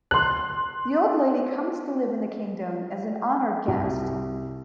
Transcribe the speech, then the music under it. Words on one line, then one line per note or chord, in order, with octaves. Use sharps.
The Old Lady comes to live in the Kingdom as an honoured guest.
C6 F#6
C2